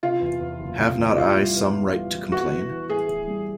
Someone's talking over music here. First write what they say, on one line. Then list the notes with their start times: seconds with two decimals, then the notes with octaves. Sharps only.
Have not I some right to complain?
0.03 C3 F4
0.21 E2
0.41 E2
0.60 F#1
0.79 C3
0.98 E2
1.17 A2 F4
1.36 G3
1.55 B3
1.75 B3
1.93 E3
2.12 E3
2.32 B3 F#4
2.50 E3
2.70 E3
2.89 A2 G#4
3.08 E3
3.27 G3